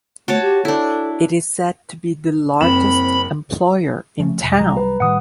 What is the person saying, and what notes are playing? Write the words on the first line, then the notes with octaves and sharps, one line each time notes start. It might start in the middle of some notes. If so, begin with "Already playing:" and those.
It is said to be the largest employer in town.
A3 F#4 C#5 A5
G4
D4 E4 A4
F#1 C4 B5 E7
F3 A3 C#4
E1
C2 F#3 G3 A#5
B4
A2 D#3 G3 F#5 D#6